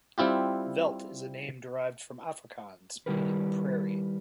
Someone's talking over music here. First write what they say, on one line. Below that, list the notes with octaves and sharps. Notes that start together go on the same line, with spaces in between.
Veldt is a name derived from Afrikaans, meaning "prairie".
G3 C4 E4 F4 G4
D#3 G3 E4 G4 A#4 B4